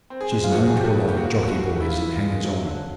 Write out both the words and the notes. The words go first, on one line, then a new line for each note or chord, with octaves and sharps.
She's known to a lot of jockey-boys and hangers-on.
C4
G#4
G#3
F4
F3 F#4
G#4
F3 G4
F#4
C#3
G4
A#3 F#4
C2
F#4
G3
E3 E4
F4
E3 E4
F4
G#3
F#3
D3